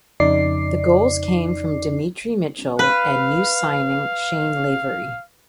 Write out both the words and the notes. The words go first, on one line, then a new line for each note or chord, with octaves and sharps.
The goals came from Demetri Mitchell and new signing Shayne Lavery.
F2 C#3 D#4 D5 D6 C7
B4 F5